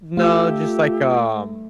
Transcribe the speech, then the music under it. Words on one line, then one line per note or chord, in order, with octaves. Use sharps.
No, just like, um,
A3 F4 G4 E6